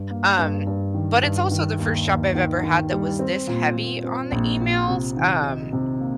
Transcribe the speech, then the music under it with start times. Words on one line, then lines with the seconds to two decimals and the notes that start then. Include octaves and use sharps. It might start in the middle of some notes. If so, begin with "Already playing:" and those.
um, but it's also the first job I've ever had that was this heavy on the emails, um
Already playing: G2
0.11 A#3
0.38 G2
0.67 G2
0.94 D#3
1.23 G2
1.51 D#3
1.79 D#2
2.07 D#2
2.35 D#3
2.63 D#3
2.91 G3
3.19 C4
3.47 A#2
3.76 A#2
4.03 C4
4.32 A#1
4.60 A#2
4.88 C3
5.16 D#3
5.45 D#4
5.73 C3
6.00 A#3